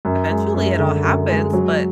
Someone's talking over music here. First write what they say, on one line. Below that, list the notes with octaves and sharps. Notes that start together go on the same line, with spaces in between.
eventually, it all happens, but
F#2
G#3
F#2
D3
F#2
G#3
F#3